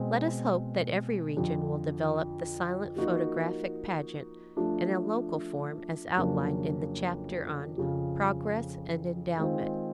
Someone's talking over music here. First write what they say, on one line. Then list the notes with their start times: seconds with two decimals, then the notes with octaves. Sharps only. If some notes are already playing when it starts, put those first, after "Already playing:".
Let us hope that every region will develop the silent photographic pageant in a local form as outlined in the chapter on Progress and Endowment.
Already playing: B2 G#3 C4
1.37 F2 D3 F3
2.96 F3 A#3 D#4 F#4 A#4
4.57 F3 A3 D4
6.17 F2 C#3 F#3 A#3 D4
7.78 F2 C#3 F3
9.38 D#3 G#3 C4 F4